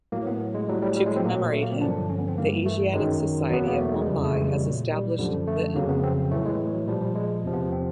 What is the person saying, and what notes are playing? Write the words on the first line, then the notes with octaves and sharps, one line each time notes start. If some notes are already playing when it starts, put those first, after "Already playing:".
To commemorate him, the Asiatic Society of Mumbai has established the Mm.
A2 F#3 A#3
B3
G#3
A2 F#3 G3
G3
G3
G#3
C4
A#2 F#3 A#3
A3
A#3
C4
G2 D3 F3 D4
C#4
B3
C4
G2 E3 A#3
A3
F#2 D#3 F#3 G#3
E2 B2 F#3 B3
A#3
A3
G#3
F2 C#3 E3 G3
A3
G#3
G3
A#2 F#3
G3
F#2 D3 F3 G3
A3
F2 C#3 F#3 A#3
B3
C4
A2 E3 A3
G#3
F#3
A#2 F3 G3
G3
G#3
E2 C3 F3
B3
C4